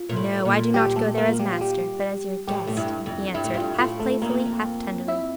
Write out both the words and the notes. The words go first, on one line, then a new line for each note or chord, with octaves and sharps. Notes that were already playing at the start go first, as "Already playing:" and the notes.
"No, I do not go there as master, but as your guest," he answered, half playfully, half tenderly.
Already playing: F4
A#2
A2
A#2
G3 G4
A3 A4
A#3 A#4
F4
G3 G4
F4
G3 G4
A2 G3 G4
A2
G2 E4
F2
G2 E4
A2
G2 F4
A2 F4
A3 A4
G2 A#3 A#4
F2
F2
E4 E5